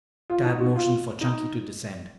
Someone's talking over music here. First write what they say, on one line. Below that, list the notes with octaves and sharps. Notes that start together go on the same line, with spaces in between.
Tad motioned for Chunky to descend.
F4
D#4
F#4
F4
D#4